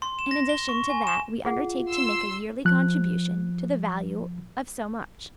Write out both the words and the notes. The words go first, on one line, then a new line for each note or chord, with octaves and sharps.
In addition to that we undertake to make a yearly contribution to the value of so much.
C6
E7
A#6
G7
C#6
G#5
E7
F4 G#4 F#5
C6 E6
F3 F#6